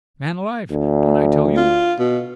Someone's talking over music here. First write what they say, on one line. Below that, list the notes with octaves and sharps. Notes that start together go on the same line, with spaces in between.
'Man alive, don't I tell you?
D2
F4
B2